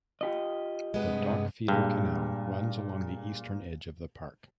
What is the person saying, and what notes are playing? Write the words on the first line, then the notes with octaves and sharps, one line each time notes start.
The dock feeder canal runs along the eastern edge of the park.
F4 G4 D#5
G2 C3 G#3 B3 B4
G2 A#2 G#3